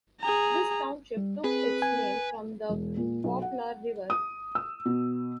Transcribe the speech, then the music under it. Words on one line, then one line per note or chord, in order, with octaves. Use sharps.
This township took its name from the Poplar River.
G#4 A#5
G3
C4 G#4 B4
G#5
E1
A#2
B1
F#5
D#6
E6
B2